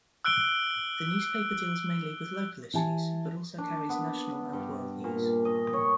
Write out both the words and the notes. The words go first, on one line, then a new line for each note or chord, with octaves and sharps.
The newspaper deals mainly with local issues, but also carries national and world news.
E6 F#6 D7 G7
E3 G4 G#5 A5
D4
B3
G2
A#2
D#5
C#5